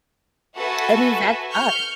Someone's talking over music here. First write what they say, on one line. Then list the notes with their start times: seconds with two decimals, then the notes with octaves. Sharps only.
I mean, that's us.
0.56 F#4 A4 B4 E5 G#5
1.51 C#6 F6 G6